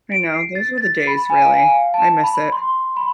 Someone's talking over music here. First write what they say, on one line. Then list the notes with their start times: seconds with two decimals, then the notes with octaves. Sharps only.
I know, those were the days, really. I miss it.
0.12 D7
0.34 C7
0.55 A6
0.78 A6
1.07 B5
1.30 G#5
1.36 F5
1.55 G#5
1.65 F5
1.94 A5
2.24 B5
2.52 C6
2.96 B5